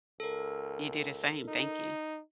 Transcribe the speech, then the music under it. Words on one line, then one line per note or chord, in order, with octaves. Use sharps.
You do the same, thank you.
C#2 A4 A#4
D#4